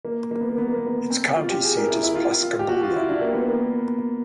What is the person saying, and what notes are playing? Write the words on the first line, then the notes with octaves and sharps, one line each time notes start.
Its county seat is Pascagoula.
A#3
A#3
B3
A#3
B3
A#3
B3
A#3
C4
F4
G4
G#4
A#4
E4
E4
F4
F4
G4
F#4
F4
E4
D4
A#3
B3
A#3